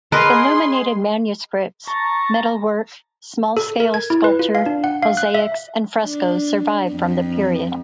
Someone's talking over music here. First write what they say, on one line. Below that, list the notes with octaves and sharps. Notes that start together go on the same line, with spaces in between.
Illuminated manuscripts, metalwork, small-scale sculpture, mosaics, and frescos survive from the period.
G#4 A#4 B4 D#5 C6
A5 A#5 C#6
A4
A#4
G#6
E4
B4
F4
F5
D4
F#5
F5
F#6
E5
D4
F2